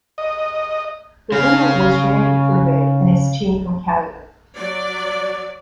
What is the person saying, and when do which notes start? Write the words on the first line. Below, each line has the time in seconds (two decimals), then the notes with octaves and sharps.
The winner was Randy Ferbey and his team from Canada.
0.18 D#5
1.32 C#3 F5
4.56 F#3 D5